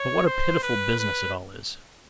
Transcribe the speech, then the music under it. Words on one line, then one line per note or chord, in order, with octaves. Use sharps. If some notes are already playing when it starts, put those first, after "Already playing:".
But what a pitiful business it all is!
Already playing: C#5
C5
B4
B4